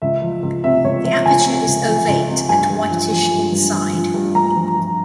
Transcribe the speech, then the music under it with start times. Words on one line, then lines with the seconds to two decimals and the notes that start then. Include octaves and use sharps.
The aperture is ovate and whitish inside.
0.02 C#2 E5
0.22 F3
0.43 C#2
0.64 C3 E5
0.84 C#2 C#5
1.05 F3 E5
1.26 C#2 G#5
1.46 C3
1.67 C#2
1.88 F3
2.08 C#2
2.29 C3
2.49 G2 G#5
2.70 G2
2.91 F3
3.11 F3
3.31 G2
3.52 G2
3.73 F3
3.93 F3
4.14 G2
4.34 G2 A#5
4.55 F3
4.76 F3